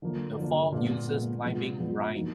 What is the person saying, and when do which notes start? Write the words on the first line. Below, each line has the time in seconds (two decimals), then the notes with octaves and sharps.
The form uses climbing rhyme.
0.02 D3 F3 A#3
0.38 D3 F3 A#3
0.72 A#2 G#3 B3
1.08 A#2 G#3 B3
1.44 F3 G#3 B3 D4 F4
1.78 F3 G#3 B3 D4 F4
2.13 F3 A#3 D#4 F#4